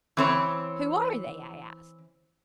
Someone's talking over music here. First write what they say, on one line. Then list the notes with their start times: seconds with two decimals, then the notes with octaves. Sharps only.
"Who are they?" I asked.
0.17 E3 C4 C#5